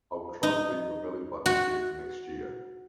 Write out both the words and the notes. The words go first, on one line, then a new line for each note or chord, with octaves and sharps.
I will try to be your belly button thief next year.
D#4
F#4